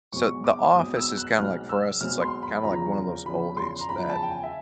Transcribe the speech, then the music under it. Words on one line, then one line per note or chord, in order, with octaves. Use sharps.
So, The Office is kinda like for us, it's like kinda like one of those oldies that
B1 B2 G#3 C4 C#6
D6
B1 B2 G#3 C4 D#6
E6
F#6
B1 B2 G#3 C4 F6
E6
B1 B2 G#3 C4 F6
C6
B5
E2 C#3 F3 A#5
E2 C#3 F3 B5
C6
A#5
E2 C#3 F3 B5
A5
G5
G#5
E5